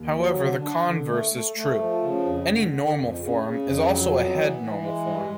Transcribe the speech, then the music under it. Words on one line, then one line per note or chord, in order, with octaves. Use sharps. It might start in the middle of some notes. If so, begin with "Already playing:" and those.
However, the converse is true: any normal form is also a head normal form.
Already playing: D#2
F#3
D3
D4
D3
A3
A3
A3
F3
C#3
F2
D3
D3
F2
C#3
C#3
F2
F#3
B3
E3
E3
G#3
G2